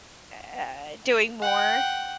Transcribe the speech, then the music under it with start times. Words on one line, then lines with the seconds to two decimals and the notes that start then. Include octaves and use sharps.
uh, doing more.
1.42 F#5 G5